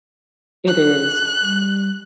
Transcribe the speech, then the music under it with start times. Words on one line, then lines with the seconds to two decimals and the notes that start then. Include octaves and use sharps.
It is.
0.67 F#6
1.41 G3